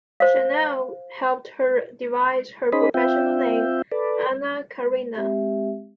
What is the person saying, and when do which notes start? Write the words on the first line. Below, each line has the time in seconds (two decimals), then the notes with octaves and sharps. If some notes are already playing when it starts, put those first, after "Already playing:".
Chanel helped her devise her professional name, Anna Karina.
0.20 C5 F5
2.72 C#4 D#4 G#4 C5 D#5 B5
2.94 C4 F4 E5 G5
3.92 A4 B4 D5
5.15 G#3 C4 G4 E5